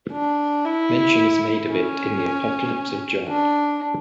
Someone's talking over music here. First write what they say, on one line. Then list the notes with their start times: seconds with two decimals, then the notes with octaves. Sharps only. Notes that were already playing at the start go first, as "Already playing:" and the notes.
Mention is made of it in the Apocalypse of John.
0.12 D4
0.65 E4
1.70 C#4
3.28 D4